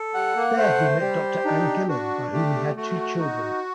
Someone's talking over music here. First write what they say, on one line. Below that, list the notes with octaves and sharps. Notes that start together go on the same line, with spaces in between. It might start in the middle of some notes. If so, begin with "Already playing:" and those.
There he met Doctor Anne Gillen, by whom he had two children.
Already playing: A4
G3 F#5
A#3
A3 C5
G3 G4
D4 D#4
D4 F#4
A3 G4
A3 F#4
D#4